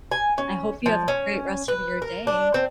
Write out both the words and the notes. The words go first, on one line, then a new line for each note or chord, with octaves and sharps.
I hope you have a great rest of your day.
G#5
C#4
F3
C#4
B4
A#4
D4
C4